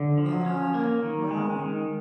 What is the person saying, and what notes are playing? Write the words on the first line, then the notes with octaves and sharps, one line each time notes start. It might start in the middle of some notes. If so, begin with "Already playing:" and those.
Uh, well,
Already playing: D3
F3
C#4
A#3
D#3
G#3
D#3